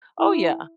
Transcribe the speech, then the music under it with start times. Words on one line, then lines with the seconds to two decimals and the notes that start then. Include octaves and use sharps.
oh yeah!
0.19 E4